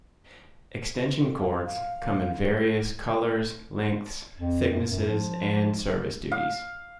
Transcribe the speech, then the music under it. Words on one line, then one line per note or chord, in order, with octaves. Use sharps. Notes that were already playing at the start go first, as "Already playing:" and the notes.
Extension cords come in various colors, lengths, thicknesses and service duties.
A4
F5
F5
F2
F#2
F#2
F3
F5